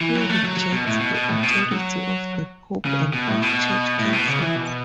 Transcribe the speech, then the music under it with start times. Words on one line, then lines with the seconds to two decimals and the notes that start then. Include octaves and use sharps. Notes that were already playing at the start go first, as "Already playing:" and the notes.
He rejects the authority of the Pope and of church councils.
0.01 E3
0.15 F#3
0.29 A3
0.44 F#3
0.57 F#3
0.72 B2
0.86 A2
1.00 B2
1.14 B2
1.29 A2
1.43 B2
1.72 F#3
2.85 C#3
3.13 B2
3.27 A2
3.42 B2
3.99 A2
4.13 B2
4.28 C#3
4.41 E3
4.55 B2